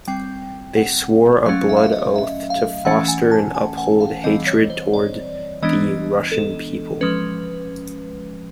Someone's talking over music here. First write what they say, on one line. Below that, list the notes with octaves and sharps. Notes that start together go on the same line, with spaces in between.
They swore a blood oath to foster and uphold hatred toward the Russian people.
G3 C4 G5
F#5
F#3 A3 C#4 F5
E5
F5
E5
D#5
E5
F5
E3 A3 C#4 F#5
G#5
A5
G#5
F#5
F5
E3 G3 C4 D#5
C#5
C5
D5
E3 G#3 B3 D4 D#5
A4
F3 G#3 C#4 B4